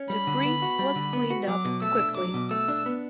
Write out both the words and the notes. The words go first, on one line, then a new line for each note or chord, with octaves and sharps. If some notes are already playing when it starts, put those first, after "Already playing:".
Debris was cleaned up quickly.
Already playing: C#4
G3 B5
D3
B3
F#4
G3
D3
B3
F#4
F#3 D6
B2
A3 E6
D4
F#3 D6
B2
A3 E6
D4
B3